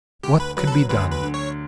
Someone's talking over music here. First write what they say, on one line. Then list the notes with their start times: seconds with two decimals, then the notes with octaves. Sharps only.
What could be done?
0.23 D2 G4
0.40 B4
0.56 F#3 B4
0.67 A4
0.73 B4
0.89 D2 B4
1.12 B4
1.22 D3
1.34 C#5